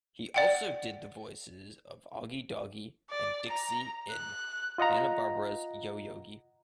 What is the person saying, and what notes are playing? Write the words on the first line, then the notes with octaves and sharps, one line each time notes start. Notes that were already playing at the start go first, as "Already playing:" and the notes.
He also did the voices of Augie Doggie and Dixie in Hanna-Barbera's Yo Yogi!
D5 F#5 G5
D5
A#5
F#6
F4 D#5 F#5 A#5